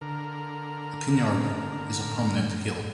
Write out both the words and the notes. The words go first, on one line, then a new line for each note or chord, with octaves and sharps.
The Penyard is a prominent hill.
D3 A#4